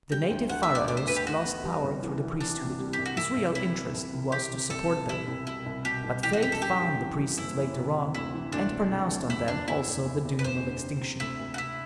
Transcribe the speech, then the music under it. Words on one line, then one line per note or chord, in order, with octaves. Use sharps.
The native pharaohs lost power through the priesthood, whose real interest it was to support them; but fate found the priests later on, and pronounced on them also the doom of extinction.
G3 G5
D2
D2 F#5
E5
D3
D5
D2 D5
C5
D2 B4
G4
D2 F#4
B3
G3
C2
E3
E3
E3 D4
C3
G3
G4
C2
F#4
C2 E4
C2
C3 E4
E3
C2
C3
C3 G4
C3
C2 A4
B2
G3 E4
C2
B2 E4
C2
B2 G4
C2
E3 G4
F#4
F#2 G4
A4
G3 G4
G3
E3
G3
F#1 E4
E3
C3
C3
D2 E4
E3
D2 D4
C3
C3
D2
E2 E4
F#1 D4
E2 E4
F#1
E2
E2
B4
F#1 C5
D3
C3
C3
D2 E4
D2
F#4
C3 E4